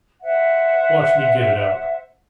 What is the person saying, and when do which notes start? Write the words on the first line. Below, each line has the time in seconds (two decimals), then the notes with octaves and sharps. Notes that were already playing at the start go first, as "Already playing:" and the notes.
Watch me get it out!'
0.22 C5 E5 F#5